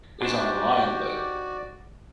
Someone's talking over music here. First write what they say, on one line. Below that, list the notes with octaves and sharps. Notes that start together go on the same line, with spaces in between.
is on the line, like,
G#2 D4 F#4 G4 D5 A5